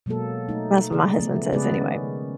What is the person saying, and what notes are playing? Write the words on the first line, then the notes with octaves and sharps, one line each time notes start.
that's what my husband says anyway-
B2 F#3 G#3 A#3 A4
A3 D#4
C#3 G#4 D5
F3 A3 B3
C#3 G#3 B3 G#4 B4 D5
D#3 C#4